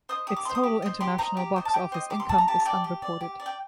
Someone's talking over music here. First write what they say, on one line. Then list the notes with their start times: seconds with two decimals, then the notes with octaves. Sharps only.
Its total international box office income is unreported.
0.09 C5 D#5 D#6
0.27 G4 D#6
0.36 D6
0.45 D#5 C6
0.49 C5
0.55 D#6
0.63 G4
0.82 C5 D#5
1.01 G4 C6
1.18 C5 D#5 A#5
1.37 G4
1.56 C5 D#5
1.65 A5
1.74 G4 G5
1.92 C5 D#5
2.10 G4 D6
2.20 C6
2.29 D5 A5
2.38 A#5
2.48 G4 A5
2.60 A5
2.65 D5 G5
2.84 G4
3.02 D5
3.21 G4
3.40 D5
3.46 G5